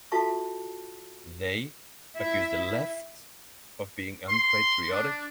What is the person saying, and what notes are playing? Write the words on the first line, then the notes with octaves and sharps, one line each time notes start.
They accused the Left of being unpatriotic.
F4 F#4 A4 E5 A5 C#6
E4 E5
C6
D4